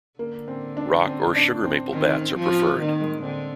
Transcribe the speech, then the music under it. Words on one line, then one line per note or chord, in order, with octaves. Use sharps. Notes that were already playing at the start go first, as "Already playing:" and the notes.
Rock or Sugar Maple bats are preferred.
D3 A#3
C4
D4
C4
D4
C4
D#3 C4
C4
F3
C4
D#3 A#3
G#3
D3 C4